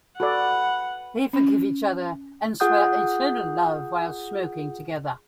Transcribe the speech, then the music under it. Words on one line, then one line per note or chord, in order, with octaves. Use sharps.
They forgive each other and swear eternal love while smoking together.
F#4 A4 B4 D5 F#5
C#4
F4 G#4 F#5 D#6 G6